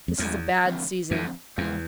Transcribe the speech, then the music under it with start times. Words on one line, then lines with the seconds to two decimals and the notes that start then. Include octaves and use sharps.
This is a bad season.
0.08 F2
0.18 E2 A#2 F3 A3 C#4
0.65 D3 F3 A3 C4
1.11 F2 D3 F3 A3 C4
1.58 E2 C#3 F3 G#3